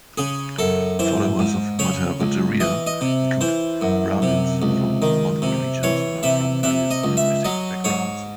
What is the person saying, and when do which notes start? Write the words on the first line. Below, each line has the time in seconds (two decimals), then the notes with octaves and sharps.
Followers of Madhvacharya include Brahmins from multiple regions and are from various linguistic backgrounds.
0.18 C#3 G#4
0.58 F#2 A4
0.99 E3 C5
1.39 G#2
1.79 C#3 C#5
2.20 C#2
2.60 E3 D#5
2.87 D#5
3.01 C3
3.41 E3 C5
3.81 F#2
4.22 C3
4.62 C#2
5.02 D#3
5.42 C3
5.83 E3 C#5
6.23 C3 E5
6.63 C3 E5
6.91 D#5
7.04 C#2
7.17 E5
7.44 F#3 D#5
7.84 G#2 C#5